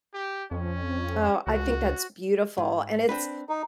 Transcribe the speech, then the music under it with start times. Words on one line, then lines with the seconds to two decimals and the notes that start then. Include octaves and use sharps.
Oh, I think that's beautiful, and it's
0.13 G4
0.51 F2 C#4
1.47 C#2 F#4
2.58 G#2
3.09 C4 D4 B4
3.49 D#4